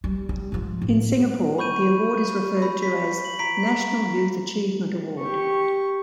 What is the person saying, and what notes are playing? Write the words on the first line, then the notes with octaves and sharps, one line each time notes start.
In Singapore, the award is referred to as "National Youth Achievement Award".
G3
G3
G#2 F3
A2
B5 C#6 G6 D#7
B5
B6
F#7
A#5 B6 D7
G4 C#6